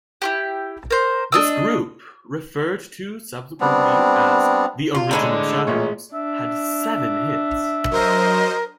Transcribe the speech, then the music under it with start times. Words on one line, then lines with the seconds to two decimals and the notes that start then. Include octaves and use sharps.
This group, referred to subsequently as "the Original Shadows", had seven hits.
0.22 E4 F#4 G4
0.90 A#4 C5
1.32 D4 D#5 E6
3.61 G3 B3 C4 D4
4.94 F4 C6
5.11 A2 D3 D#3 G#3 A#5 B5
5.67 A1 A#2 C#5
6.13 D4 E5
7.91 F#3 A#4 C5 D#5